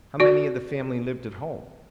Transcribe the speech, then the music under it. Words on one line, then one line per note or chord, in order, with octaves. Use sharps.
"How many of the family lived at home?"
F#4 D5